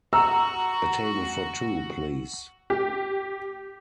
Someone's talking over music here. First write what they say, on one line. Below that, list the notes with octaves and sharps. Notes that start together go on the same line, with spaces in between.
A table for two, please.
F#4 A#5 E6
G4